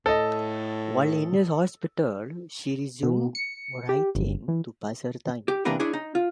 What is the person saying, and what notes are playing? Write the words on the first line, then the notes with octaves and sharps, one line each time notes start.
While in the hospital, she resumed writing to pass her time.
A2 A4 D#5
B2
C#7
G4
G1
E3
G4
C3 E3 A#3 D4 A#4 B4
D4 E4 G#4 C#5
D#4
F4